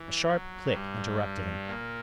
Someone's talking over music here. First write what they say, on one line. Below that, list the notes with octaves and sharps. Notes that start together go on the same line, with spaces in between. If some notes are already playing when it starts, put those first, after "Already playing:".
A sharp click interrupted him.
Already playing: E3
F#3
G2 G3
A#2 A#3